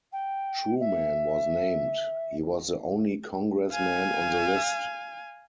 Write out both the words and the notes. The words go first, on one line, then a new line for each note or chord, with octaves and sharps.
Truman was named; he was the only congressman on the list.
G5
E5
F5 G#5